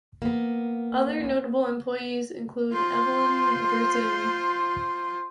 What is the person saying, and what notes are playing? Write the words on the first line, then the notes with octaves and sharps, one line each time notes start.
Other notable employees included Evelyn Berezin.
A#3 B3
F4 C5